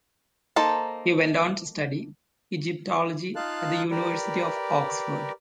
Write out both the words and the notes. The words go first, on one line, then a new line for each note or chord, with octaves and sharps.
He went on to study Egyptology at the University of Oxford.
A#3 D#4 A4 C5 A5
D#4 F4 F5 A5 F#6
G4 A#4 B4 D5